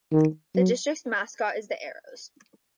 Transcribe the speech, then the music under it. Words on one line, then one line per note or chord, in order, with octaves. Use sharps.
The district's mascot is the Arrows.
D#3
F#3